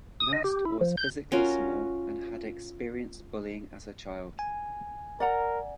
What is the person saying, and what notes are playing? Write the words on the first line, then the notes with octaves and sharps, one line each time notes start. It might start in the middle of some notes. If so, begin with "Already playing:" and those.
Nast was physically small and had experienced bullying as a child.
D#6
D#5
G4
E4
F3
G6
C#4 F4 F#4 A#4
G#5
A#4 D5 F#5 A#5